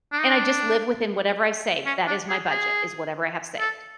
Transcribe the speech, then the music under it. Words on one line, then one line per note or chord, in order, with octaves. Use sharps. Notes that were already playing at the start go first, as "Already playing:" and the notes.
and I just live within whatever I save, that is my budget, is whatever I have saved.
D4
D#4
D4
C#4
D4
G#4
G#4
A4